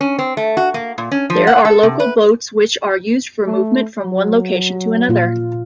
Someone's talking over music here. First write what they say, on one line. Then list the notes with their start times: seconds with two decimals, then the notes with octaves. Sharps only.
There are local boats which are used for movement from one location to another.
0.01 C#4
0.19 C4
0.37 A3
0.57 F#4
0.74 A#3
0.98 A#2
1.11 C#4
1.30 F3
1.47 F#5
1.65 A4
1.83 C3
2.00 B4
3.47 A3
4.05 F#3
5.09 A#2 F4